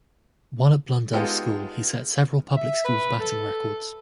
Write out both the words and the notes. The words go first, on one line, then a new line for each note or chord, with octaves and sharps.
While at Blundell's School, he set several public school's batting records.
G#3 B3 D#4 F4 G4 A4
E5
B4
A4